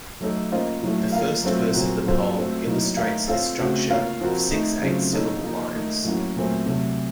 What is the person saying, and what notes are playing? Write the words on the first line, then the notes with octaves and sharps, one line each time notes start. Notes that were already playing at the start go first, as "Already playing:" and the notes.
The first verse of the poem illustrates this structure of six eight-syllable lines.
F#3 A3 D#4 A4 C#5
A#3 C#4 F4 C5 D#5
A2 F#3 A3
A#3 F4 A#4 F5
F#3 A3 C4 F4 A4
A#2 F#3 C4 F#4 A#4
F#3 A#3 F4 A4 C5
A3 C4 F#4 A4
A2 F#3 A#3 D#4
D#3 A3 D#4 A#4 F5
C4 F4 A4 C#5 F5
C#3 A3 C4 F#4
A#3 F4 A#4 C#5 F5
F3 C4 F#4 A#4
D#3 A3 D#4
C#3 F#3 A3 C4 F4
D#3 A#3 D#4 A4 C#5
F3 A#3 D#4
D#3 A3 D#4 A#4
A2 F#3 A#3 C#4 F#4
A#2 F#3 A3 C4
C3 F#3 A3